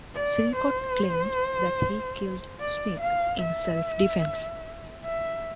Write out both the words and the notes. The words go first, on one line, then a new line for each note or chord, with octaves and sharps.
Silcott claimed that he killed Smith in self defence.
D5
C5
D5
F5
E5
E5